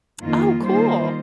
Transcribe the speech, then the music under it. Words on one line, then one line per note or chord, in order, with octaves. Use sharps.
Oh, cool.
F2 D#3 A#3 F4
D#3 G3 A#3 F4 C5